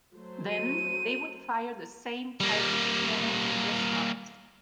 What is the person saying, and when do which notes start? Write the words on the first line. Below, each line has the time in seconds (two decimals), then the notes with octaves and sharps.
Then they would fire the same type of cannon in response.
0.14 F#3 A3 C5
0.49 D#7
2.40 G3 A#3